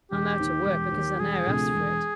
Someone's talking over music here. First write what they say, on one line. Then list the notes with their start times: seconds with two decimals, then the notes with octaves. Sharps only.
I'm out o' work because I ne'er asked for it.
0.11 E1 G4
0.39 D#2 D#3
0.65 E1
0.92 D#2 D#3
1.19 E1 G#4
1.46 D2 C3 F3 A3
1.74 E1